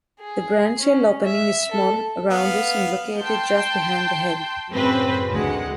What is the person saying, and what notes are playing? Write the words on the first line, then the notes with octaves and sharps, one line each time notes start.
The branchial opening is small, roundish and located just behind the head.
G#4
C#4
E5
A4
B3 F5
G5 A5 C6 G6
F#2 A2 C#3 C4 B4 C5
D2 E3 G#3 F#5